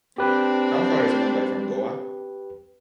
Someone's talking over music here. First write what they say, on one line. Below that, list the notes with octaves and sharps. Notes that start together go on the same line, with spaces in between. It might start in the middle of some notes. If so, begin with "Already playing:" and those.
How far is Mumbai from Goa?
C4 D4 G4 B4